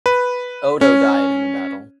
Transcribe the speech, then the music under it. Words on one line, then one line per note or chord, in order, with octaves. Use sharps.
Odo died in the battle.
B4
C#4